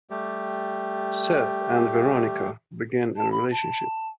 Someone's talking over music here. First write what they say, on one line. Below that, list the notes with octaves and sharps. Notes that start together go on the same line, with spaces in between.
Seth and Veronica begin a relationship.
G3 A3 G4
A5
B5
A5